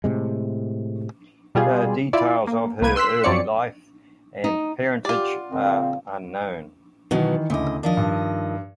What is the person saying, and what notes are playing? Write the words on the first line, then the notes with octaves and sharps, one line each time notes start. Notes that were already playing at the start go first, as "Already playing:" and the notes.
The details of her early life and parentage are unknown.
A2 C3 G#3
B2 G3 F4 G#4
E4 F4 D5
A#3
C2 A#3 B4 G#6 D#7
C6 E6 F#6 B6
F#2 F3 C4 C#5 D5 C#7
D#4
F4 G4 D5 F#5
G2 A#2 C#3 F3 C4
B2 D#3 E3 F#3 B3
D2 C#3 E4 D#5 D6
D#3 F3 D4 D#5
G2